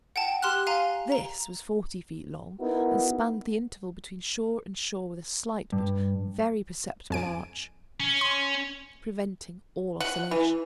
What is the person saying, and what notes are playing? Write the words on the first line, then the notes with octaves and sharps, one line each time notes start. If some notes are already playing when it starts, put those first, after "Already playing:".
This was forty feet long, and spanned the interval between shore and shore with a slight but very perceptible arch, preventing all oscillation.
F#5 G5 A5
G4 C6 F6 F#6
F5 G#5 A#5
A#5
B3 D#4 E4 F#4 A#4
G2
F2 G#5 D7
C#4
C6
F#5
E3